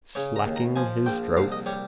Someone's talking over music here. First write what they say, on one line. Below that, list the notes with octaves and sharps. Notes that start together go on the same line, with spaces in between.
Slaking his drouth.
C#3 C#5
A#5
D#2
A#5
F3 G#5
A#1 G5
C2 F5
D#5
G3 C#5